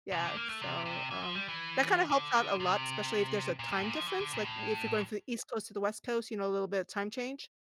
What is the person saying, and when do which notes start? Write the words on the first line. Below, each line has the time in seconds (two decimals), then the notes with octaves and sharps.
Yeah, so, um, that kinda helps out a lot, especially if there's a time difference, like if you're going from the East Coast to the West Coast, you know, a little bit of time change.
0.12 C3
0.25 D3
0.37 A#3
0.49 A3
0.62 C3
0.85 C3
1.11 E3
1.23 F3
1.35 G3
1.48 E3
2.10 D3
2.60 C3
3.59 A#2
3.71 A2
3.83 A#2
3.95 F3
4.08 E3
4.20 D3
4.33 A#2
4.45 A2